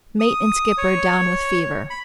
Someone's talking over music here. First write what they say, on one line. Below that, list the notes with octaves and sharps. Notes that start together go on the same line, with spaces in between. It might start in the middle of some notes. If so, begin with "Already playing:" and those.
Mate and skipper down with fever.
D#6
C#5
B5